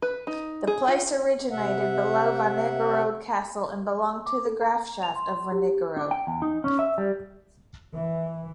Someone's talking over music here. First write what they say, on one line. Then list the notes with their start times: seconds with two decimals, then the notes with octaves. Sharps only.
The place originated below Wernigerode Castle and belonged to the "Grafschaft" of Wernigerode.
0.02 B4
0.27 D#4
0.67 G#4
0.88 F4
1.50 C3 E5 F#5
4.26 D6
4.45 A4
4.62 A#5
5.03 F7
5.16 C6
5.52 G4
5.97 D4
6.11 G5
6.27 E2
6.42 D#4
6.64 C#4
6.79 E5
6.98 G3
7.95 E3